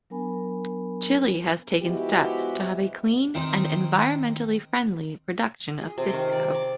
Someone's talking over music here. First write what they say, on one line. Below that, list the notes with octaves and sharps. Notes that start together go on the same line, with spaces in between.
Chile has taken steps to have a clean and environmentally friendly production of pisco.
F#3 B3 D4 A#4 G#5 B5
F3 G#3 B3 E4 F#4 G4
D#3 C4 D#4
G#4
C3
D#3
D5
D6